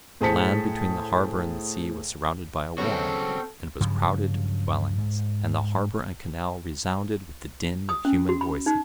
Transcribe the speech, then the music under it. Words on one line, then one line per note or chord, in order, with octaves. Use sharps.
The land between the harbour and the sea was surrounded by a wall, and was crowded with dwellings, and the harbour and canal resounded with the din of human voices.
A2 G#4 C5 A5 B6 C#7
C#3 F#3 B3 C4 F#4 A4
G2 C#3 F3 F#3
G#2
D#6
C#4
F#4
B5
D#4